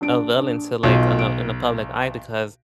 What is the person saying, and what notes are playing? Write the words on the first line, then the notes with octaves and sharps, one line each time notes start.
a villain to like in the in the public eye because
A#1 D4 D7
B1 F4 F#4 D#5
D7